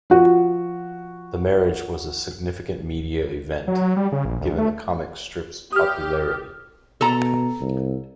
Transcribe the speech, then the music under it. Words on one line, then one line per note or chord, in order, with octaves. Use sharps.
The marriage was a significant media event, given the comic strip's popularity.
F3 F#4
F#3
F#3
G3
C#3
A#1
D2
A3
G4 D#6 F6
B2 A4 A#5
C2